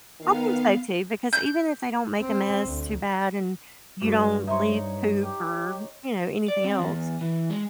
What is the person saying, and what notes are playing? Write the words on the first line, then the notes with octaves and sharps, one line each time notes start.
I think so, too, because even if they don't make a mess too bad, and you don't leave poop or, you know, anything else,
D#3 B3 F5
G6
C4
D2
G2 F#4
D#4 C#5 E5 C6
G4
D5
C4
E2
E3
G#3